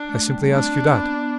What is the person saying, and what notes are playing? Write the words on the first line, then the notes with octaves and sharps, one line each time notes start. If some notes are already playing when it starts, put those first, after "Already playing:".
I simply ask you that.
Already playing: D4
A3
G3
A3
C4 D4
B3